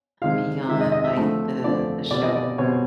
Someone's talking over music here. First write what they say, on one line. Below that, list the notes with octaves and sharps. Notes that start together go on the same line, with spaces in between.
beyond, like, the the show.
C3 D#3 G#3 C4 F5
C3 D#3 G#3 C4 E5
D#5
D#5
E5
D3 F3 A3 C4
D3 F3 A3 C4 D5
B2 G3 C4 D5
D#5
D5
B2 G3 C4 C#5